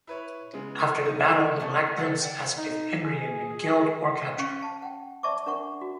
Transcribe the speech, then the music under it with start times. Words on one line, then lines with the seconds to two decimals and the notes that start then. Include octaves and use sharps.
After the battle the Black Prince asked if Henry had been killed or captured.
0.07 E4 B4 C#5
0.53 C#3 G#3 B3
1.05 D#4
1.35 E3 E4
1.60 E3 A3 A#3 C#4
1.75 B3
1.97 A4 D5 F#5
2.22 D5 F#5 G5
2.58 D#4
3.05 G#4
4.38 C#4 F5 C#6
4.62 A5
4.82 F#5 G5
5.23 D5 E5 A5 C#6 D6
5.46 D4 A#4 F#5 C#6
5.81 F#4